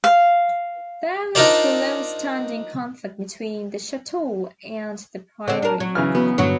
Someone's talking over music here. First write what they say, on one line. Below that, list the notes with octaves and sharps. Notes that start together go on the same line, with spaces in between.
There was longstanding conflict between the chateau and the priory.
F5
D4 D#4 F4 A#4 C5 D5
D3 C4 C#5 F#5
D4 A#4
F#3 G#6
C#3 E3 F6
B3 F#4 B4
G2 D3 F#3 F#4